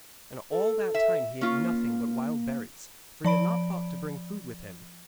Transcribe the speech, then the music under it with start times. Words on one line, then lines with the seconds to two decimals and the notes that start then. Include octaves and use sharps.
And all that time he ate nothing but wild berries, for he had not thought to bring food with him.
0.52 A4
0.94 E5
1.41 A#3 C#4 F4
3.24 F3 D5 B5 D7